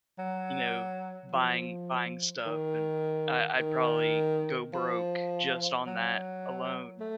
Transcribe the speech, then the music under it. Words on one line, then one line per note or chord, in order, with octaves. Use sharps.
you know, buying buying stuff and I I'd probably go broke just on that alone.
F#3
F3
D#3
D#3
F3
F#3
A3